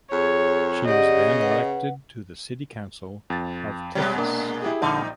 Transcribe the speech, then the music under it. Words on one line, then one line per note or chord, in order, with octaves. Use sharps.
She was then elected to the city council of Tiflis.
F2 G#4 C#5
C#3 G4 D5 D#5 F#5
B4 F#5
F2 A6
A#2 G3 G#3 C#5
A#3 D4
E4 G4 G#4
A#1 D3 G3 D#4